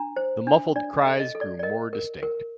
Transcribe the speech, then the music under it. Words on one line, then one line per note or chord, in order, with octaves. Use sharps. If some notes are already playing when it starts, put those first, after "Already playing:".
The muffled cries grew more distinct.
Already playing: D4 A#5
C5
D4
D4 D5
D#5
A4
D#5
A4
D5
D5
A#4 D#5
A#4
A#4